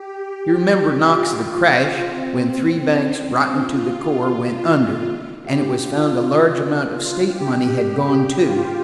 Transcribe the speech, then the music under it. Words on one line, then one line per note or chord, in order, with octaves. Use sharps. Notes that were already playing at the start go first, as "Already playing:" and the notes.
You remember, Knox, the crash, when three banks, rotten to the core, went under, and it was found a large amount of state money had gone too.
Already playing: G4
G4
F4
F4
C4
C4
F4
F4
G4
F4
F4
G4
G4
F4